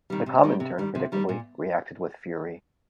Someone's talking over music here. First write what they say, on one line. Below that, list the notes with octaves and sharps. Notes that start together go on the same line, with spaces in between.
The Comintern, predictably, reacted with fury.
D#3 G3
C3
D#3 G3
C3
D#3 G3
C3
D#3 G3
A#2